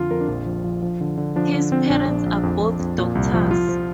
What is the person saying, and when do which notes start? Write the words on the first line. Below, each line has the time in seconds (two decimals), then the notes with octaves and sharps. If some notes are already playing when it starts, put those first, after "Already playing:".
His parents are both doctors.
Already playing: F2 D3 D4 F4
0.11 F2 A#4
0.21 D4
0.28 A#1 F4
0.46 F3
0.64 F3
0.82 F3
1.01 D3
1.17 D3
1.36 F3 D4
1.54 D3
1.72 F3 C4
1.90 A#1 D4
2.08 A#1
2.26 A#1
2.43 F2
2.61 F2
2.79 F2
2.98 A#2
3.15 C2
3.34 F3
3.51 F3 F4
3.69 F3